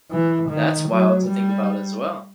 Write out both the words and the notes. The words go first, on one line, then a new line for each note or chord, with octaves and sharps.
That's wild to think about as well.
E3
D#3
F#3
G3